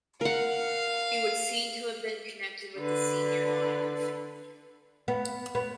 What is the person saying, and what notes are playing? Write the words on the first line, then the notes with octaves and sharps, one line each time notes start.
He would seem to have been connected with the senior line of the family.
A#4 F5 F#5
D3 B4
B3
B3